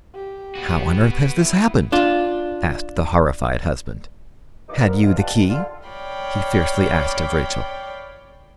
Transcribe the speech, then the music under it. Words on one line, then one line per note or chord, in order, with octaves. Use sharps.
"How on earth has this happened?" asked the horrified husband. "Had you the key?" he fiercely asked of Rachel.
G4
B3 F#4
E4
D4 F4
G2 A#2 E3 D#4 D6
D3 F3 B3 A#4
D#3 G#3 B3 C#4 F4
G3 F4 G4 F#5 A5
D#2
D3 G3 F4
C#5 D5 F5 G5 B5